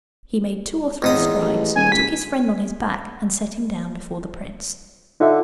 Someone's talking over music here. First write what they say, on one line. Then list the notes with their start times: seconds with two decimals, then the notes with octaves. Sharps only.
He made two or three strides, took his friend on his back, and set him down before the prince.
1.02 C#2 G#2 D#6
1.17 E2
1.38 A1
1.76 D#1 G#5
1.92 C#2 B6
5.20 D3 D#4 F4 E5